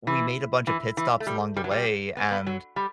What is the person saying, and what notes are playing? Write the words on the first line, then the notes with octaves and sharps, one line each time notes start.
we made a bunch of pit stops along the way and,
E3
E3
E3
A3
G3
G3
F#3
G3
B3
B3
F#3
G3